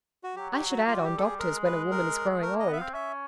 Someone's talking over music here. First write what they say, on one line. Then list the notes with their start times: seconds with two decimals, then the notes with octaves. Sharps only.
I should add on doctors when a woman is growing old.
0.24 F#4
0.36 F#3 G4
0.53 G4
0.70 F#4
0.87 G3 F4
0.97 F#4
1.04 G4
1.17 A4
1.22 G#4
1.39 G#3 A#4
1.64 B4
1.91 A#4
2.42 A3 A#4
2.55 A#3 D#5
2.68 B3 E5
2.77 C4 F5
2.94 C#4 E5